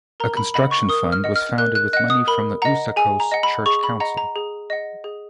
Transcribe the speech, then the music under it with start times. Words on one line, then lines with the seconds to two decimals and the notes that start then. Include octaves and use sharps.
A construction fund was founded with money from the Usakos church council.
0.20 A#4 A#5
0.37 B5
0.54 D#5 F#5 B5
0.71 C#6
0.89 A#4 D#6
1.12 F6
1.24 D#5 F#5
1.36 F6
1.58 A#4 F#6
1.75 F#6
1.93 D#5 F#5 F#6
2.10 D#6
2.27 A#4 B5
2.62 D#5 F#5 A#5
2.96 G#4 G#5
3.20 A#5
3.32 D#5 F#5
3.43 B5
3.66 G#4 C#6
3.83 B5
4.00 D#5 F#5 A#5
4.17 A#5
4.36 G#4
4.70 D#5 F#5
5.04 G#4